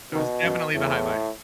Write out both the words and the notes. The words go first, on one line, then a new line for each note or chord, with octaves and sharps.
That was definitely the highlight.
B2 D#3
F#2
E2 A2